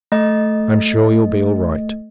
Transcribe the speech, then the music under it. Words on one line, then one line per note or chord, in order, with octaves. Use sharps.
I'm sure you'll be all right.
A3 D#5